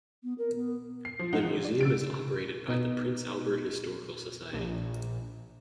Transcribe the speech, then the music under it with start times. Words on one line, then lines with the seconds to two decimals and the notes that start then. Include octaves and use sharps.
The museum is operated by the Prince Albert Historical Society.
0.23 B3
0.38 A#4
0.55 B3
1.05 C7
1.19 F3
1.33 F3 D#4 F4 F#5
1.45 A1 D3
1.65 D5
1.81 E6 A6 D7
2.68 B2 D#4
4.53 A#1